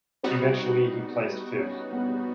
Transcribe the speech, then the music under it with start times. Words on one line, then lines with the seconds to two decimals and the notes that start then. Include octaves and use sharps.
Eventually, he placed fifth.
0.23 G3 B3 C4 D#4 F#4
1.59 C#4
1.93 B3